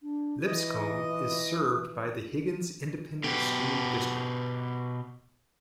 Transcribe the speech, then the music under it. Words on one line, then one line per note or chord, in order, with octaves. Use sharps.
Lipscomb is served by the Higgins Independent School District.
D4
E3 D#5
B2 G4